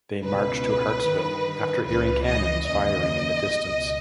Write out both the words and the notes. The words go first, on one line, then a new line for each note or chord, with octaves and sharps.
They marched to Hartsville after hearing cannons firing in the distance.
C#2 B2 B4
G2 D#3
C#2 C#3 E3 B4
D#5
D#2 C#3 E3 D#5
C#2 B2